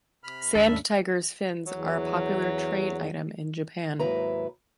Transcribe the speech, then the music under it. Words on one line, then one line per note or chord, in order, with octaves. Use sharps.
Sand tigers' fins are a popular trade item in Japan.
C3 B5 F6
D#2 G#3 C#4 D4 A4 E5
G#2 C#4 D4
E2 F#3
D#2 G#2 F#3 E4 B4 A#5